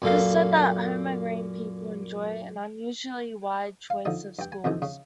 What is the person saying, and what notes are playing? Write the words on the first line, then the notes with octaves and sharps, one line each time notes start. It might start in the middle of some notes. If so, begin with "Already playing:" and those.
It is said that Holmer Green people enjoy an unusually wide choice of schools.
F#2 A#2 A4 F5
F5
D3 F3 D#4
G2 G5
G#5
F2 C3 D#3 E3
C#3